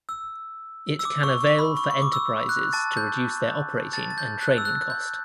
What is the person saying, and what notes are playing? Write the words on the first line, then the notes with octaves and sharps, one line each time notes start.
It can avail for enterprises to reduce their operating and training cost.
E6
E6
D6
C#6
C#6
B5
C#6
C#6
D6
E6
F#6
A5 A6
G6
A5 A6
A6
G6
F#6
E6
F#6
G6